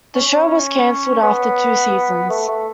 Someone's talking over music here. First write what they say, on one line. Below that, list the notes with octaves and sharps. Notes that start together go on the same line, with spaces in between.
The show was cancelled after two seasons.
C#4
C#4
B3
A3
A3